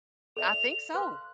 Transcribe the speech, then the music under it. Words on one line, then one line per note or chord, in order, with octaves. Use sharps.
I think so.
A4 D5 E5 F7
B4 F5 C6 F#6